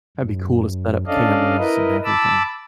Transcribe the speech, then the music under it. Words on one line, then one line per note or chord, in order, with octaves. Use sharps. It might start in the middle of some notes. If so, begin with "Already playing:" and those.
That'd be cool to set up cameras and everything.
F#2
C#4 D4 A4 D5 D#5 F5
E4 A#4 B4 D#5
A5 B5 D6 E6